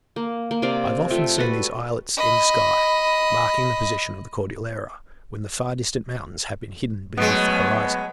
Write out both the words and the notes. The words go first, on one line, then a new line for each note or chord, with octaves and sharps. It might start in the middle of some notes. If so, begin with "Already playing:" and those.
I have often seen these islets in the sky, marking the position of the Cordillera, when the far-distant mountains have been hidden beneath the horizon.
A#3
A#3
C3 C4 D5 F5
A3 F4 E5 G5
G3 F#4 A4 B4
D#5 B5
B2 F#3 G#3 A3 B3